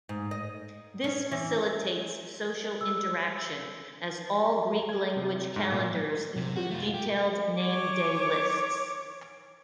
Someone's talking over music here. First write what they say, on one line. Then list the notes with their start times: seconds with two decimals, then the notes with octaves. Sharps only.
This facilitates social interaction, as all Greek language calendars include detailed name day lists.
0.09 G#2
0.31 D#5
1.04 C#4
1.32 E3
2.81 E6
4.89 G#6
5.16 C3
5.56 G#2
5.72 A#2
6.36 C3
6.56 F#4
6.70 A3 F4
6.94 G4
7.58 C#5 D6